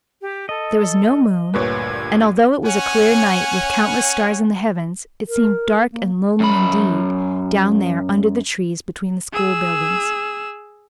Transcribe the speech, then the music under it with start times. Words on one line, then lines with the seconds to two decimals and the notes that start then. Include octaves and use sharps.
There was no moon, and although it was a clear night, with countless stars in the heavens, it seemed dark and lonely indeed down there under the trees between the school buildings.
0.21 G4
0.49 A4 D#5
1.53 D2 G2 A#2 B4 C#5 G#6
2.66 C#4 C#5 F#5 G#5
5.28 A#4
5.92 A#3
6.40 F#2 B5
9.33 G#4 E6